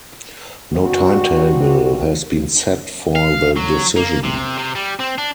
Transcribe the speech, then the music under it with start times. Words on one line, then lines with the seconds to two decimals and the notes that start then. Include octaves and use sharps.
No timetable has been set for the decision.
0.72 A#3 C4 D4 F#4
3.15 F5
3.56 F#3
3.96 A#3
4.24 C3
4.58 C3
4.75 G3
4.99 C4
5.18 D4